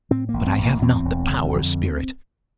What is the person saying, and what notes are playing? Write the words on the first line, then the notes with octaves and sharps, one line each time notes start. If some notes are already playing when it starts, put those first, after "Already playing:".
But I have not the power, Spirit.
A2 C4
A1 A#3
C4
A1
A#3
E2 C4
E1
D3
F2